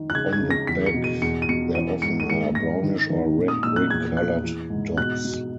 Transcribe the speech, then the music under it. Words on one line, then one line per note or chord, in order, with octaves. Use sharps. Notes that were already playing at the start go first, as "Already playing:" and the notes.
On the back there often are brownish or red-brick coloured dots.
Already playing: D#3
F#6
C#3 G#6
G#6
C#3
A#6
E2 B6
C#7
B2
D#7
E2 C#7
D#7
B2 C#7
E3 D#7
G#2 C#7
D#7
G#2 C#7
G#2 A#6
D#3
D#3
A#2
D#6
A#2 E6
F#6
E2 G#6
E2 F#6
E3
G#2
B2 F#6
B2